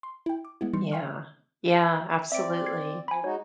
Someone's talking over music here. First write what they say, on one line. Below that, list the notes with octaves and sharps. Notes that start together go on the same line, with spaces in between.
Yeah, yeah absolutely.
C6
E4 G5
D6
G#3 B3 E4
E3 G3 D#4 C6 C#7
F5 G5 G#5 C6 C#6 F6
C4 D5 E5 D7
G#6 C7
F3 G#5 B5
G#3 D#4 F#4 C#5